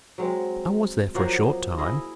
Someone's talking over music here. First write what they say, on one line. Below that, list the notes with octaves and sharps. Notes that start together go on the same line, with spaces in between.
"I was there for a short time."
F#3 G#3 C4
F3 F#3 A#3 F#4
E4 G#4 D#5